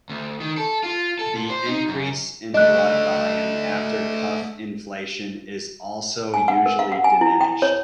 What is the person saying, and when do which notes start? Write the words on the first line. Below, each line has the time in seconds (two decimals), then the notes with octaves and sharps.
The increase in blood volume after cuff inflation is also usually diminished.
0.09 D2
0.40 D#3
0.57 A4
0.83 F4
1.19 A4
1.35 A#2
1.50 C5
1.66 D#4
1.88 F#2
2.54 A3 D4 D#5 F#6
6.34 G#5
6.48 F#5
6.66 A#4
6.79 F5
6.92 F#5
7.04 G#5
7.21 E4
7.41 G5
7.62 C#5